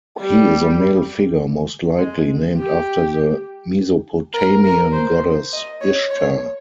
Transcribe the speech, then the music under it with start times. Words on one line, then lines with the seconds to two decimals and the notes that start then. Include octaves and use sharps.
He is a male figure most likely named after the Mesopotamian goddess Ishtar.
0.20 G3
1.98 G#3
2.57 G4
4.34 A#4
4.64 A#4
4.92 C5
5.52 D#5
5.81 C#5
6.10 C#5